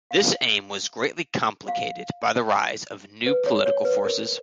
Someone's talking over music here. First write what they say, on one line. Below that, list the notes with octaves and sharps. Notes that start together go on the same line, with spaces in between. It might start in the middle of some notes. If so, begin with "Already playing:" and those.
This aim was greatly complicated by the rise of new political forces.
F5
F5
B4
C#5
C#5
B4
A#4